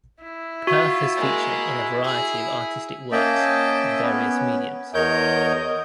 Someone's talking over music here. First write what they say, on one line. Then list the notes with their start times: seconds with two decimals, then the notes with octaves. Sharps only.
Perth has featured in a variety of artistic works in various mediums.
0.23 E4
0.67 F4 F#4
1.16 G#3 A#3
2.04 G#4
3.12 A#3 C#4 D#5 E5 G5 A5
4.02 B3 C#4
4.94 E2 A#4 C#5 D#5 G6